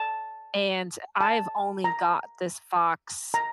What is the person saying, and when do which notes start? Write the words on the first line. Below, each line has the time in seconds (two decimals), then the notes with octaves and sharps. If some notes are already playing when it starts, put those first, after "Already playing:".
and I've only got this fox
Already playing: A5
1.21 A5
1.84 A#5
3.34 A#5